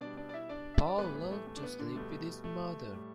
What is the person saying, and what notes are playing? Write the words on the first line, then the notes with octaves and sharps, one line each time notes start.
Paul loved to sleep with his mother.
B2 G3 D4 D5
D4 D5
D5
E4 E5
D4 D5
E5
D5
A2 E3 G3 B3 B4
B3
A3
A3
D4
B3
D3 D4
B2 G3 A3
A3
A2 G3